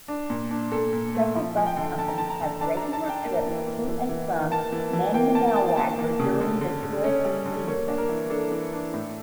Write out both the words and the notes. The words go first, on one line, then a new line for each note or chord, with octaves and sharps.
Several bus companies have regular trips to and from Landmannalaugar during the tourist season.
D4
A#2
D4
A#2 A4
A#2
A3
F3
F3
G5
D3
D3 A5
A#5
D3 A5
A#5
D3
D4 A5
A#5
D4
A5
D4
G5
A#3
E3
A#3
E3
E3
A#3
A#3 A5
E3
E3
A#3 G5
A#3 A5
A#3 A5
A#3 A5
A#3
C#3
D3
D3
D3
C#4 C#5
G3
D3
A#3 C#5
D4
A#4
E3
D4 A4
E3
D4
A2